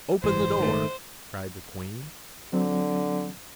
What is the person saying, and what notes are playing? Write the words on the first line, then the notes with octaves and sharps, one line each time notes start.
"Open the door!" cried the queen.
F#1 G#2 E3 G#3 C5
D#3 A3
D3 F#3 C4